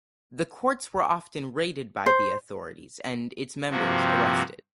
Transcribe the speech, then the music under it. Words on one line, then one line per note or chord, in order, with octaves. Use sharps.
The courts were often raided by the authorities and its members arrested.
C5
G2 C3 F3 A#3 C4 F#4